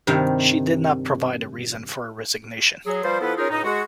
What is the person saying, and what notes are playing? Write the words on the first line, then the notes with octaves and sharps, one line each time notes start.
She did not provide a reason for her resignation.
G2 C3 D#3 F5
F#3 G#4
F3 G3 B4 C5
F3 B3 E4 A4 B4
C#4 D#4 F4 G#4 A#4
C#2 A2 D#4
G#3 F#4